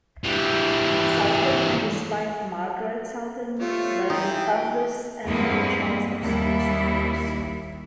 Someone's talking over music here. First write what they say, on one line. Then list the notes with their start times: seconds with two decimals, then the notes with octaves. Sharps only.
Southern and his wife Margaret Southern were the founders and co-chairs of Spruce Meadows.
0.24 E3 G3
3.60 F3 A3 F4 G4 C#5
4.10 E3 D#4 G5
5.25 E2 G2 G#3 A#3 C4 B4
6.20 D#2 D#3 G3 E4